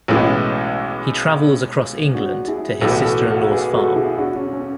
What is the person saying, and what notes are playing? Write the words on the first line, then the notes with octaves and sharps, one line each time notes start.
He travels across England to his sister-in-law's farm.
B1 A2 E3 G#3 C#4 E4
D4 F#4
E4 G#4
B1 A2 E3 F#4 A4
F#4 A4
F#4 A4
G#4 B4
F#4 A4
E4 G#4
D4 F#4
C#4
C#4